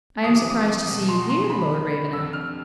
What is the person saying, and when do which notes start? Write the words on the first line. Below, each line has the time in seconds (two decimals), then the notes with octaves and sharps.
"I am surprised to see you here, Lord Ravenel."
0.24 F2 C3 E3 D#6
0.37 D6
0.49 D#6
0.87 E2 B2
1.09 C6
1.29 C6
1.50 D#2 D3 B5
2.13 F2 D3 E6
2.33 F6